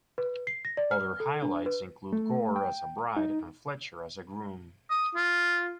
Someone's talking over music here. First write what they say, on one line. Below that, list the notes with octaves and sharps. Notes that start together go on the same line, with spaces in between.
Other highlights include Gore as a bride and Fletcher as a groom.
B4
C7
A#6
D5
F6
A4
D4
B4
A3
G5
D#4
D#6
F4